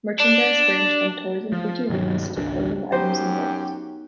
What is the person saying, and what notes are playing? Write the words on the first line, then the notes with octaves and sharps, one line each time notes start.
Merchandise ranged from toys and figurines to clothing items and books.
D4
F3
G2 B2 D#3 F#3
G#1 C#2 D4
F#2 B3 D#4 G4 C5